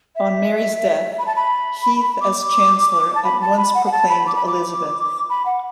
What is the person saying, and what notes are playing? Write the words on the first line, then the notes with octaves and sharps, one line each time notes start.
On Mary's death Heath as chancellor at once proclaimed Elizabeth.
E5
B5
A5
B5
D6
A5
B5
A5
B5
F#5
F#5
A5
B5
D6
B5
D6
B5
F#5